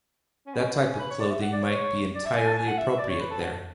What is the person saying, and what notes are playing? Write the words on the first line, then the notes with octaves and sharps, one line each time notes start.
That type of clothing might be entirely appropriate there.
C#4
B3
C#4
B3
C#4
C#4
B4
C#5
D5
E5
F#5
D5
C#5
D5
E5
G#5
A5
G#5
F#5
E5
E5
D5
C#5
B4
A4
F#4
A4